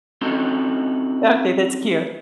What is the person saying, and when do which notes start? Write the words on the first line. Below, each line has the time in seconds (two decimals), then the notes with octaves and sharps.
Okay. That's cute.
0.21 C4 C#4 D#4 E4 F#4 A4